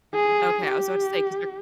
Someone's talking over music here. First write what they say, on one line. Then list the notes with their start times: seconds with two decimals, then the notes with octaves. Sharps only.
Okay, I was about to say, 'cause they're
0.14 G#4
0.67 G4